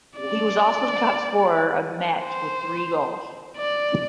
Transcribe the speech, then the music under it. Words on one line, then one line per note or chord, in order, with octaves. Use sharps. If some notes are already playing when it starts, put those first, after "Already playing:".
He was also the topscorer of the match with three goals.
D5
C5
D5